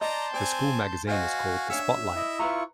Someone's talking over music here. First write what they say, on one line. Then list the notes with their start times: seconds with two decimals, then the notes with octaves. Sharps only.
The school magazine is called the "Spotlight".
0.01 D5 D#5 A5 A#5 C6 G6
0.34 C4 D5 G#5
1.07 F#4 C5 D#5 F5 G#5
1.70 D4 C#5 E5 F#5
2.16 E4 D#5
2.39 E4 F4 B4 A#5 C#6